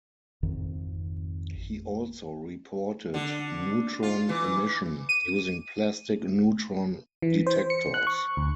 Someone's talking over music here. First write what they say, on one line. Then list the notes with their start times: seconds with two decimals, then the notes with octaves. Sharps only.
He also reported neutron emission, using plastic neutron detectors.
0.43 G#1 F2 D#3
3.14 D3
4.03 F4
4.29 E3
5.09 D#7
7.22 E3
7.47 C5
7.70 C#7
7.94 F#6
8.07 C#6
8.37 D2